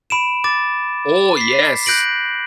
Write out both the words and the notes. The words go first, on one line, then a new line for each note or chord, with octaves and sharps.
Oh, yes.
B5 D7 E7
D6 A6
B6 C7
F#6 G6 A#6 D7 F#7